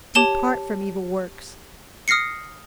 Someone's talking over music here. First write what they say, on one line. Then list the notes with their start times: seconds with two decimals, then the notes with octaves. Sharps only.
Depart from evil works.
0.15 G4 C#5 A5 E7 G7
2.08 D#6 F6 A#6 C7 C#7